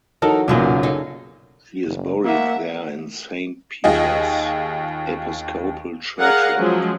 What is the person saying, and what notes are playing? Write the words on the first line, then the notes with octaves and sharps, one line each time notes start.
She is buried there in Saint Peter's Episcopal Church yard.
E3 F#3 D#4 A4 A#4
B1 F#2 A#2 C#3 F#3 C#4
D#4 G#4 A4
F#1
A#3 E5 F#5
D#2 F4 G#4 D#5
G#4 A#4 D5 F5 F#5 A#5
F3 F#3 G#3 C#4